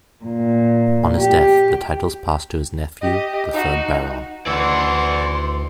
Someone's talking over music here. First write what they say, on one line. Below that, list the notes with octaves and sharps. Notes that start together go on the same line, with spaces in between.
On his death the titles passed to his nephew, the third Baron.
A#2
G4
G4 D#5
D#4 F#4
D2 D#3 E3 D5 F#5 C6